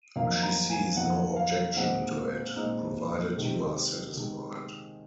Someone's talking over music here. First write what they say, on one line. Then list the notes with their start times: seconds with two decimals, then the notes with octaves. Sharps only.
She sees no objection to it, provided you are satisfied.
0.16 F2 D#3 F#3 A#3 F5
0.43 A#5
0.70 G#5
0.96 F2 D#3 F#3 A#3 F#5
1.36 F5
1.76 A#2 G#3 C4 D#4 F#5
2.56 A#2 G#3 C4 D#4
3.37 C3 D#3 G#3
4.17 C3 D#3 G#3